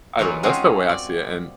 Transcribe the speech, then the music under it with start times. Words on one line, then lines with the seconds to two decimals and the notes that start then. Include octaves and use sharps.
I don't know, that's the way I see it and
0.19 E3 F#3 D#4 F4 F#4 A#4
0.43 G#3 C4 C#4 F4 F#4 G#4
0.89 D5